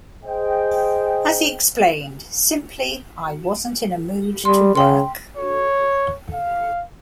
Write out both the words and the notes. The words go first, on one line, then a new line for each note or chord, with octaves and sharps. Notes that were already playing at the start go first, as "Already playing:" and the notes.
As he explained, Simply, I wasn't in a mood to work.
G#4 C5 D#5 G5
G3 C6
C#3 G5 C6
C#5
F5